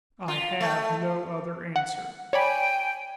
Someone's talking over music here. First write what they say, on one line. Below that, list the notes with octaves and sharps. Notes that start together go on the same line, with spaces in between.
"I have no other answer."
F4
A3
F#5
C#5 D5 G5 G#5 B5